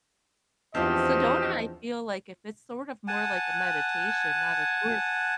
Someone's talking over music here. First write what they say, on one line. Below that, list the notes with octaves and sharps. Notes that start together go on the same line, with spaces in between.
Sedona, I feel like if it's sort of more like a meditation, not a tour
E2 F3 C4 D4 F4 G4 D#5 E6
F#5 G#5 A5